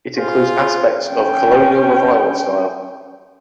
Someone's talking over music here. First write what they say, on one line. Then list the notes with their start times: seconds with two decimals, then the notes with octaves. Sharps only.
It includes aspects of Colonial Revival style.
0.18 F4 G#4 C5
1.11 C#4 G5